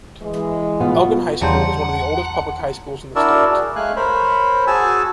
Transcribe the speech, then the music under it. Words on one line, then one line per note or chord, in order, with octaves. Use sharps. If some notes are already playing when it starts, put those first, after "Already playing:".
Elgin High School is one of the oldest public high schools in the state.
E3 G#3
B2 B3 F4
E2 C#3 G3 C5 F#5 A5 A#5 C6
D4 E4 F#4 A#4 D5 E6
G#4
G#3 A3 F5 G#5 F#6
A#4 C5 C#5 B5
F#4 G#4 G#5 A5 E6